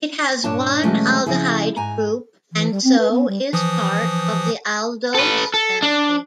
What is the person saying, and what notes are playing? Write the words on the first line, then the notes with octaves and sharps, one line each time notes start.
It has one aldehyde group, and so is part of the aldose family.
G2 A#2 D4 C#5 A5
B2 E3 F#3 G#3 A3 C#4
C#3 F3 E4 G#4
G#2 G#5 A#5
E3
G3
C4
B4
B3
G3
E3 F3 D#6
A4 B4
A4
D4